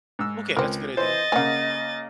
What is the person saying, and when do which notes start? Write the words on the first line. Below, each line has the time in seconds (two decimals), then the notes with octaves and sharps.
Okay, that's a good idea.
0.19 G#2 E6
0.57 C#2 C4 A#4
0.97 E3 C5 D#5 A6
1.32 C#3 A#3 F#5 G#5